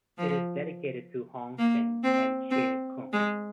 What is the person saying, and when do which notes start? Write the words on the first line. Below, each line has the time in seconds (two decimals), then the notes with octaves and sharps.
It is dedicated to Hung Shing and Che Kung.
0.18 F3
1.58 A#3
2.04 C4
2.51 C4
3.13 G#3